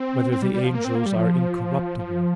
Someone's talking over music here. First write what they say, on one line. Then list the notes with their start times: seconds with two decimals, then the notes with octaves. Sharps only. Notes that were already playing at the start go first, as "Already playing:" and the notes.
Whether the Angels Are Incorruptible?
Already playing: C4
0.32 C4
0.42 G3
0.54 G3
0.64 F3
0.75 A#3
0.84 C4
0.95 A#3
1.06 G3
1.15 F3
1.99 F3